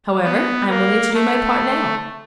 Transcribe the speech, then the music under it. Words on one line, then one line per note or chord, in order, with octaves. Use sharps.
However, I am willing to do my part now.
B3
A#3
A3